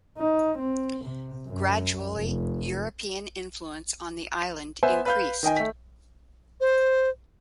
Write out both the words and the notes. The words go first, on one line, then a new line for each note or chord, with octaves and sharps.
Gradually, European influence on the island increased.
D#4
C4
C3
F#2
F1
B3 C5 E5 G#5
B4 F5 G6
D#3 D#5 G5 G#5
A3 B6
C5